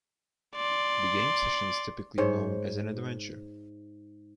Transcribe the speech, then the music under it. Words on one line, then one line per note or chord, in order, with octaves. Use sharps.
The game session is typically known as an adventure.
D5 C6
G#2 C5 C#5